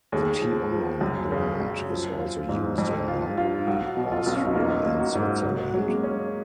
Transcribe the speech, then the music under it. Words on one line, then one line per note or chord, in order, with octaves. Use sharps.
The T-Online brand is also used in Hungary, Austria and Switzerland.
D#2 G#4
F3
F3
F#2
C#3
F#2
F3
F4
G#2
F2
F4
F4
B1 F#4
B2
F4
B1 B3
C#4
D#4
A#3 F4
A#3
F#4
G#2
F#3 F#4
F#3 G#3
A#3
C#4